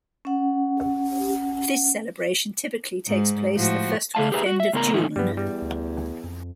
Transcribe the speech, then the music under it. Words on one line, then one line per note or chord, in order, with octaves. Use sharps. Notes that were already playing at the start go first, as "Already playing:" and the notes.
This celebration typically takes place the first weekend of June.
C#4 F#5
G#2
A2 F3 F#4
C#3 E5 F5 A5
G4 G#4 B4 C5 E5 A#5
F#4
E5
A2 C#3 B3 A#4 D5 A#5
A2 D3 E3 A3 D#4 E4
E2 G2 G3 B3
G3
D2
F2